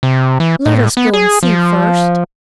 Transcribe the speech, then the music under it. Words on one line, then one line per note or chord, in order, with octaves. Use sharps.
"Let us go and see first."
C3
E3
A2
B3
G#4
F3